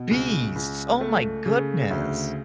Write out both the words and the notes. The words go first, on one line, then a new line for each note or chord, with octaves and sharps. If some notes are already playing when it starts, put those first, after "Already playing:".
beasts. Oh my goodness.
Already playing: B2
C#2
C#2
A3
C#3
D2